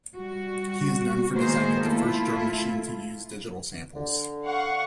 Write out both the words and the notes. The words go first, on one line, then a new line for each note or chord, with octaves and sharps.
He is known for designing the first drum machine to use digital samples.
G3 F#4
D#3 G#3 A#3 B3 G#4 C5
A3 E4 F4 A4
D3
F5 F#5 C#6